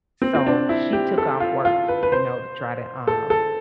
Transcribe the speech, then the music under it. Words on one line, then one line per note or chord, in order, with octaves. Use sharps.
So she took off work, you know, to try to, um,
C4
C4
D4
E4
G4
A4
F4
F4
B4
B4
C5
A4
A4